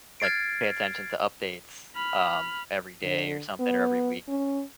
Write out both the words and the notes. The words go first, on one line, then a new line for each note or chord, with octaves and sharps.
like, pay attention to updates, um, every day or something, or every week,
F6 G#6 A6 C7 D7
B5 F6
D3
B3
C#4